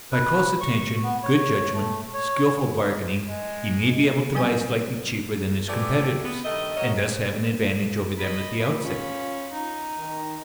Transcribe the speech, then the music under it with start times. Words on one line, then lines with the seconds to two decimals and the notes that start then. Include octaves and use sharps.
By close attention, good judgment, skilful bargaining, he may be able to buy slightly cheaper than his competitors, and thus have an advantage over them at the outset.
0.11 B4
0.61 C#6
1.03 B3
1.23 C#5
1.73 A3
2.14 C#5
3.27 G#3
4.35 F#3 G3 C4 B4 G#5
5.68 E3 F3 A3 G4 D5
6.24 B3
6.45 G2 D#3 A3 D#5
6.77 F#4 A#4 C#5 D#5
8.18 D#5 B5
8.81 C#4 F4 B5
9.52 D#4
9.98 D#3